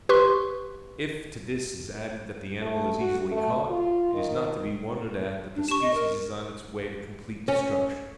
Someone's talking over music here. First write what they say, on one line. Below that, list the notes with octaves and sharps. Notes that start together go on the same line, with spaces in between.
If to this is added that the animal is easily caught, it is not to be wondered at that the species is on its way to complete destruction.
G4 B4 C6 C#6
A3
F#4
A3
F4
D#3
D4
G4 C#6 E7
D#5
A#4
C#4